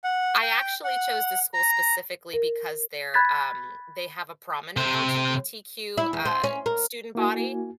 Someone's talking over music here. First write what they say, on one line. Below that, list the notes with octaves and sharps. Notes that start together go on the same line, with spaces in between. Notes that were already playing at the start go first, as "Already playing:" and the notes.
I actually chose this school specifically because they're, um they have a prominent LGBTQ, uh, student body,
F#5
G5
F#5
A#5
A#4
B5 F#6 G#6 A6 B6
C3 C5
E4
E2
C4
C#4
A#4
A#3 E4 F#4 G#5